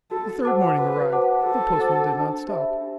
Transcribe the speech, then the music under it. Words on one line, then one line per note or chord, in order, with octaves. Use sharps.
The third morning arrived; the postman did not stop.
F#4 A4
C5 F#5 A5 D6
F#4 B4
C5 F#5 A5 D6
F#4 A4
C5 F#5 A5 D6
D4
G4 C5 E5 B5
D4